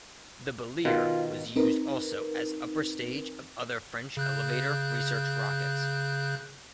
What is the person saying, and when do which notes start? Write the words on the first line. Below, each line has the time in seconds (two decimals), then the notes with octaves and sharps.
The Belier was used also as upper stage of other French elevator research rockets.
0.85 B2 D#3 F4
1.56 C4 D#4 A#4 B4
4.17 C#3 F#6 G6